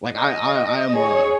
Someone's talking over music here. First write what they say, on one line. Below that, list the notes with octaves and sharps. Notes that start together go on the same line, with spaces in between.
Like, I I I am a
D#5
G#4 C#5